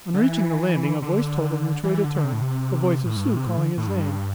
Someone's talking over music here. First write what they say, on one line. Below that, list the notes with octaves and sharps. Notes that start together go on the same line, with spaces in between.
On reaching the landing a voice told him which way to turn--the voice of Sue calling his name.
D3
E3
D3
E3
E3
D3
D3
C3
A2
C3
A2
G2
A2
C3
A2
D3
A2
G2